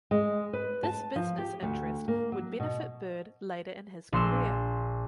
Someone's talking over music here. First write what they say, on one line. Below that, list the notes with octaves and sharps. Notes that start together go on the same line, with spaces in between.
This business interest would benefit Bird later in his career.
G#3
B4
A5
F3
G4
D2
A#3
F#3
B2
A#1 C6 E6